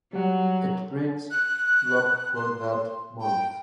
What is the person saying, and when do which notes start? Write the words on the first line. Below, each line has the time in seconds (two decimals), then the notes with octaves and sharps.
It brings luck for that month.
0.13 F#3 G3 F#5
1.31 F#6
2.35 C6
3.20 G5